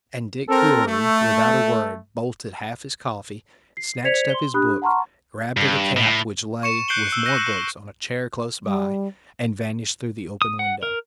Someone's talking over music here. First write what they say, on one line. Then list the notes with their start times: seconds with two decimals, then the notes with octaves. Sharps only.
And Dick Bewery, without a word, bolted half his coffee, snatched up his book, grabbed at a cap which lay with more books on a chair close by, and vanished through the open window.
0.49 C4 A4 A#4
0.87 A3
3.77 C7
4.04 C5 D5 G#6 B6 C#7 F7
4.30 C6 G7
4.54 D4 G4 B5 D#6 F#6
4.82 F#5 A5 A#5 C6 C#6 F6
5.57 G2
5.97 A2
6.63 C#6 C#7 E7
6.88 F#6 G6 C7 D7 F#7 G7
7.12 E6
7.26 F#6 A#6 D#7
8.65 G3
10.42 D#6
10.59 F#5
10.83 A#4